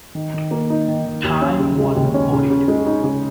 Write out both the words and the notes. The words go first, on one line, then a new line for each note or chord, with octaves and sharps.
Time one forty two.
D#3
D#3
A#3
D#4
D#3
D#3
D#2
C#4
C#3
G#3
D#2
C#4
C#3
C#3
G#3
D#4
C#3